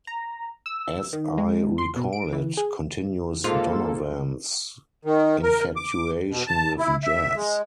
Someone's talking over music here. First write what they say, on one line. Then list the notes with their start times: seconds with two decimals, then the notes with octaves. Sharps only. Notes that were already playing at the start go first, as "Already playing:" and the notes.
"As I Recall It" continues Donovan's infatuation with jazz.
0.07 A#5
0.66 E6
1.13 D#3
1.38 G#3
1.78 C6
1.96 B2
2.13 D7
2.33 E3
2.57 G#4
3.44 G#2 A#3 F4 A4
5.05 D#3
5.43 A#4
5.76 D6
6.31 B2
6.47 A5
6.79 E4
7.03 E5
7.36 G#3